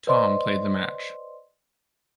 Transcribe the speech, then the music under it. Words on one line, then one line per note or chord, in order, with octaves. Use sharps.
Thom played the match.
B4 C5 D5 D#5 C6